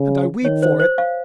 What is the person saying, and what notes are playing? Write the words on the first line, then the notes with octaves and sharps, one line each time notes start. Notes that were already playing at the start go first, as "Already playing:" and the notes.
And I weep for it!
Already playing: C#3
D#3 C#5
C5
C5
F5